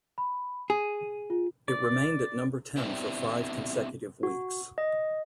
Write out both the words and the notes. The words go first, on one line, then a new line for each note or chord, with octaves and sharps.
It remained at number ten for five consecutive weeks.
B5
G#4 D#7
F4
D5
B3 C4 D4 E4 G4
F#4
D#5